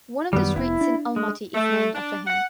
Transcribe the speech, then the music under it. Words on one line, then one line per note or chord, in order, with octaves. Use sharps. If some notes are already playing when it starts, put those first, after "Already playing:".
One of the streets in Almaty is named after him.
F#2 D#3 F#3 G3 B3
F1 B3 E4
D4
G#3
A3
D4
F#5